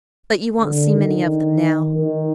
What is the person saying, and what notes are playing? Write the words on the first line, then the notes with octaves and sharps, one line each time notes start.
But you won't see many of them now.
D3
D#3
D#3